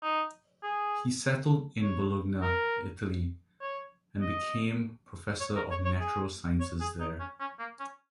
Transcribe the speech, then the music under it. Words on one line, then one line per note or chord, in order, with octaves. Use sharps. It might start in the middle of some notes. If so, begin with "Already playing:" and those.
He settled in Bologna, Italy, and became professor of natural sciences there.
D#4
G#4
C#5
A#4
C#5
D#5
C#5
A#4
C#5
C#5
G#4
C#5
G#4
D#4
C#4
C#4
A#3
C#4